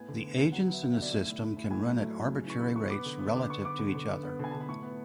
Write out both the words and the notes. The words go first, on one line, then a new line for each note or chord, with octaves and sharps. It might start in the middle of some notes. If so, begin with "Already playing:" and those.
The agents in the system can run at arbitrary rates relative to each other.
Already playing: A2 B3 G#5
D3
B3
D3
F#3 F#5
B3
E5
F#3 F#5
E5
D3 D5
A2 E5
A2
A2
A2
A2 G#5
F#3
A3
F#3
C#3
E3 C#6
E3 B5
B3 C#6
B3 D6
D3
B3
D3 D6
B3 C#6
B3 D6
D3
D3
B3
B3
D3 G#5
D3 A5
B5
A2 C#6
B3